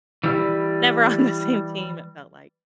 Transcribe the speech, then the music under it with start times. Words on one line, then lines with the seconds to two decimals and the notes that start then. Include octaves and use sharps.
never on the same team, it felt like,
0.24 E3 G3